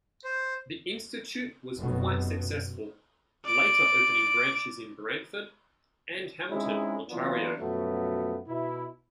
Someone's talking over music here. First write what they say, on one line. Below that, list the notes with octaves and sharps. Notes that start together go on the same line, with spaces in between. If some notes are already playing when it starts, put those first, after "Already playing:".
The Institute was quite successful, later opening branches in Brantford and Hamilton, Ontario.
C5
F1 F#2 B2
D5 D7
G#3 C4 C#4 D#4 E4 G#4
E3 F#3 A#3 B3 D4 F4
F#2 B2 F3 F#3 A3 B3
B2 E4